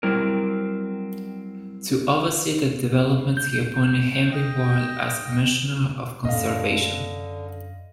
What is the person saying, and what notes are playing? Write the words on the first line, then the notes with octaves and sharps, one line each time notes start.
To oversee the developments, he appointed Henry Ward as commissioner of conservation.
F#3 G3 C4 E4 A#4
G6
D#5 G5
F#2 D3 C#4 D#5 F5